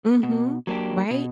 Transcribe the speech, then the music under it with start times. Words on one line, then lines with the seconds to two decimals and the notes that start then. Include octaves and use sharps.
Mhm. Right?
0.23 B2
0.67 F#3 A#3 D4 G4
1.11 B2